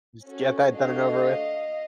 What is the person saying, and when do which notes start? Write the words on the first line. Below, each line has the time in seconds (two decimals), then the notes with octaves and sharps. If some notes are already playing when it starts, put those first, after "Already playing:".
Just get that done and over with.
0.24 C#4 F#4 A4
0.73 A3 D4 F#4 D#5 F5